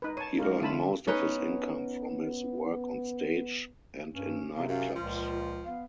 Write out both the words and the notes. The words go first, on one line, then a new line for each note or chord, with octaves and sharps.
He earned most of his income from his work on stage and in nightclubs.
D#4 B4
C#5 A5 D#7
C#2 D#4 A#4 F5
D3 F4 E5 A5 B5 D#7
B3 C#4 D#4 B4
G2 C#4
C3 B3 F5
F#2 C#4 F5
C#2 A#2 F3 F4
B3 F5